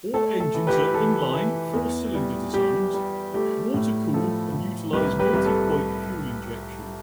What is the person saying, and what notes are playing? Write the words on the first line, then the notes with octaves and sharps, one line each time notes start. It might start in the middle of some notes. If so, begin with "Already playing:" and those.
All engines are inline-four cylinder designs, water-cooled and utilise multi-point fuel injection.
A3 A4
A4
E3
G4 B4
E3 A4
E3
E2
G3
G3 G4
G3
A3 G4
A2
F3 A4
A2
C2 G4 B4
G4 B4
C2
A4